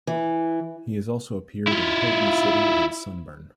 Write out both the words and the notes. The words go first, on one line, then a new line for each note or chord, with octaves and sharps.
He has also appeared in "Holby City" and "Sunburn".
E3
E4 F4